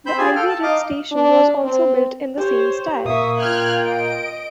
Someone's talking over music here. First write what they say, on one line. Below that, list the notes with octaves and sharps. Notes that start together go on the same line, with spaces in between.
The Ivy Ridge station was also built in the same style.
C4 C5 B5 G6
F4 G4 G#4 G#5
A4 F5 G5 F6
A5
D#4 D#5 F5 D6
D4
C4
G4 C5 C#5 G5
A#2 A#3 E5 C#6 D#6
F4 G5 F6 F#6 G#6
D#5 D7